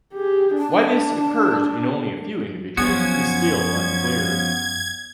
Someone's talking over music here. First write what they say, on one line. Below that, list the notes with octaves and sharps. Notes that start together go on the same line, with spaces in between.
Why this occurs in only a few individuals is still unclear.
G4 G#4
D4 A5
F#2 F3 B3 C#4 F#4 G#6